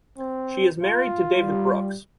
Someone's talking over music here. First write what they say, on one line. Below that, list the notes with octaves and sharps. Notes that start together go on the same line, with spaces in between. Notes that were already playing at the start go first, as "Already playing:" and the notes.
She is married to David Brooks.
C4
F4
G3